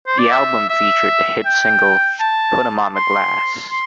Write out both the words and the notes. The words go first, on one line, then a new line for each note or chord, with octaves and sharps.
The album featured the hit single Put 'Em On The Glass.
C5
D5
E5
E5
G5
A5
C6
C6